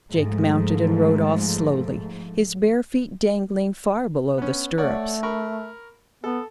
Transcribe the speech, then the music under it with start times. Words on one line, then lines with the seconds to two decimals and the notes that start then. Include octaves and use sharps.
Jake mounted and rode off slowly, his bare feet dangling far below the stirrups.
0.12 G#2 F3 A3
4.38 B3 C#4
4.78 A3 C#5 D5 F#5
5.23 A#4 B5 C#6
6.24 B3 A4